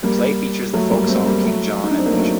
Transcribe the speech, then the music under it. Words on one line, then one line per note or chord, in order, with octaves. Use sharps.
The play features the folk song King John and the Bishop.
G3 A#3
F#3 A3
G3 A#3
A3 C4
G3 A#3
F#3 A3
D#4
D4
C4
A#3
F#3 A3